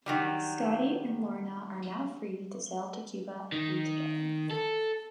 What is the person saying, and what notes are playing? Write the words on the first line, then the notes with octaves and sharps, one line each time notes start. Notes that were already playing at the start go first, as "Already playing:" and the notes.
Scotty and Lorna are now free to sail to Cuba and be together.
D#3 F#3 G3
D#3
A4